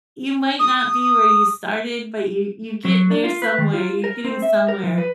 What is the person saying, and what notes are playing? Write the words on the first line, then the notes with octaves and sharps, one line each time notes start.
You might not be where you started, but you you get there somewhere. You're getting somewhere.
D#6
F#3
D4
F4
B4
D#3
F4
A#4
C4
E5
A#4
F3
B4